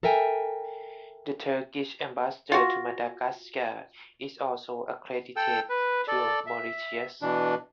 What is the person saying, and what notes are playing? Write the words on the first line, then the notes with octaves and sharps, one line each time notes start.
The Turkish ambassador to Madagascar is also accredited to Mauritius.
A4 A#4 E5 G5 G#5
F4 F#4
A4 G5 E6
B4
A4 D5
E5
B2 E3 D4